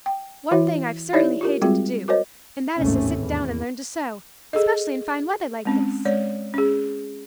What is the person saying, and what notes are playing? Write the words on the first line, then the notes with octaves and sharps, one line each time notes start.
One thing I've certainly hated to do, and that is to sit down and learn to sew, especially in fine weather like this.
G5
E3 E4 F#4 C#5 E5
D#4 E4 G4 C#5 D5 E5
F4 G4 A#4
G3 G#3 C4 F4 F#4 G#4
F#4 A#4 C5 C#5 D#5
A1 D#2 G#2 C3 A3 C#4
E2
G#4 A4 D#5
G#3 C4 C#4
G#3 C#5 D5
C#4 G#4